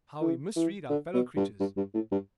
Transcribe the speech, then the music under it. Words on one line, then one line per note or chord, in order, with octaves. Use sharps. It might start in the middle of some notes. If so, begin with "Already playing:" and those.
How we misread our fellow creatures.'
E3
E3
D3
B2
G2
G2
G2
A2
G2